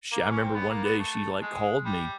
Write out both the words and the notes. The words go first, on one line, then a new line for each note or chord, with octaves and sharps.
sh I remember one day she like called me
A#3
C#4
C4
B3
A#3
B3
A3
G#3
G3